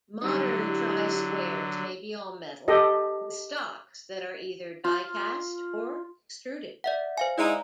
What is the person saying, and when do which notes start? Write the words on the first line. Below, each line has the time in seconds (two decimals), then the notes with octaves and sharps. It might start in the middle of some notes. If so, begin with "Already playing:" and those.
Modern try squares may be all-metal, with stocks that are either die-cast or extruded.
0.22 D3 F#3 G3 D#4
0.58 E4 G4
2.68 G4 A4 D#5
4.84 F4
6.84 D5 E5 F#5
7.18 C5 F5 G#5
7.38 G#3 D#4 E4 D5 A#5